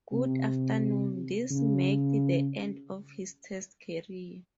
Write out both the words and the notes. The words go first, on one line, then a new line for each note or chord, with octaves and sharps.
Good afternoon. This marked the end of his Test career.
C3
C#3